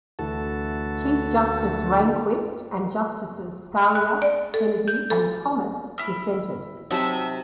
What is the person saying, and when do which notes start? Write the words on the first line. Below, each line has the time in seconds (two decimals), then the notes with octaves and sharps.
Chief Justice Rehnquist and Justices Scalia, Kennedy, and Thomas dissented.
0.19 D2 E3 F#4 A4 A5
3.95 F#6
4.22 D5
4.54 A4
4.88 G6
5.10 A4
5.98 E4 F6
6.91 C3 F#3 D#4 E5 A5